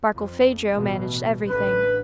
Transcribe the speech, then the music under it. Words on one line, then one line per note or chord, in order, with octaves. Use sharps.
Barkilphedro managed everything.
F2
A1 B2
A1 D3 B4